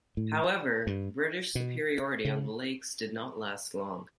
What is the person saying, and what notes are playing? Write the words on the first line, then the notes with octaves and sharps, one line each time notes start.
However, British superiority on the lakes did not last long.
A2
G2
B2
C#3